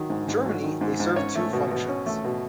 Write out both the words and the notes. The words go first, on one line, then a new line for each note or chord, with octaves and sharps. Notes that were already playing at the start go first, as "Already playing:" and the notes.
In Germany, they serve two functions.
Already playing: D#3 F#3
G#2
G#2
F#3
D#3
G#2
G#2
C#4 C#5
A3
B2
B2
C#4
A3
B2